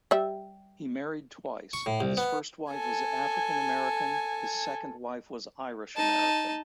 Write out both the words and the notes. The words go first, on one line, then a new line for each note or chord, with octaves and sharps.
He married twice: his first wife was African-American, his second wife was Irish-American.
G3 E5
C#6
A2
C2
B3
A4 G#5
D#4 A5